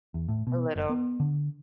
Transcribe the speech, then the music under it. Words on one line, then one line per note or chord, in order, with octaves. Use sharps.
a little.
E2
A2
B2
F#1
B3
D3